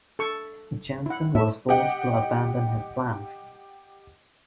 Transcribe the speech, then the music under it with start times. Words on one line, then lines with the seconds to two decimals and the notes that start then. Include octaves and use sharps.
Jensen was forced to abandon his plans.
0.19 A4 C#6
1.06 E4 F#5
1.35 A2 E5
1.69 G4 D#5 F#5 G5